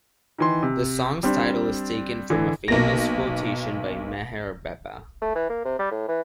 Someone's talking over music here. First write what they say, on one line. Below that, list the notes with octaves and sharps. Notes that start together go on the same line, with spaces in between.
The song's title is taken from a famous quotation by Meher Baba.
D#3 E3 C6
C3
G3 C4 D4
D3 E3
B1 A#3 A#6
A3
E3
A#3
C3
G3
A2
E3